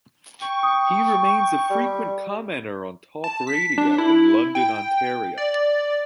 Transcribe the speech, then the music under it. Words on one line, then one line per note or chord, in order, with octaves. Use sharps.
He remains a frequent commentator on talk radio in London, Ontario.
G5 C#6
D#6
G3
A5
B6
D4
E4
G5
D5